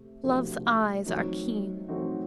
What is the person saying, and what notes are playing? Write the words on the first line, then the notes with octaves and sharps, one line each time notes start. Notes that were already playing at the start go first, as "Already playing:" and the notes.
Love's eyes are keen.
Already playing: C3 A3
C3 F3 A3 D4 F#4
F#3 A3 C4 D#4 F#4
F#3 A3 C4 D#4 F#4